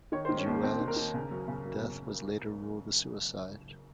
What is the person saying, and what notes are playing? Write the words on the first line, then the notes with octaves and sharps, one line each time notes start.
Deuel's death was later ruled a suicide.
D#3 C#5
C5
D#3
C#4
D#2 A#3
D#2 C4
D#3
A#4
D#3
C#3
F#2
C#3
F#2
C#3